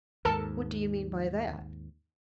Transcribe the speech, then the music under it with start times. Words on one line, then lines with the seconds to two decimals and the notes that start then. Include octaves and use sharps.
"What do you mean by that?"
0.25 D#2 G#2 A4 A#4 A5